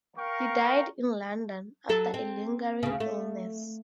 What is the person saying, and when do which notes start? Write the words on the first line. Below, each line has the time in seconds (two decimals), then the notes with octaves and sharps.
He died in London, after a lingering illness.
0.18 A#4 F5 G5 A#5 C#6
1.89 F#3 A4
2.14 C4
2.83 D2 C#3
3.00 A3